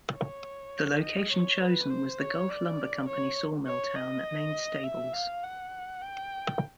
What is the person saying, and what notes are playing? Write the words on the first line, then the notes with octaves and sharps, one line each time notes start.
The location chosen was the Gulf Lumber Company sawmill town named Stables.
C#5
D#5
C#5
B4
C5
C#5
D5
C#5
C#5
D#5
E5
F5
F#5
G5